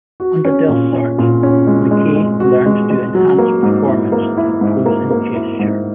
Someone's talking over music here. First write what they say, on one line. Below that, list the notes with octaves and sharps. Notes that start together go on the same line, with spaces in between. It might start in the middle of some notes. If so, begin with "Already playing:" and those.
Under Delsarte, MacKaye learned to enhance performance through pose and gesture.
F#4
C#4
A#2
C#4
A#2
C#4
G#3
G#3
G#3
F#4
G#3
G#3
F#3
A#3
G#2
E4
A#3
E4
G#2
A#3
A#3
E4
G#2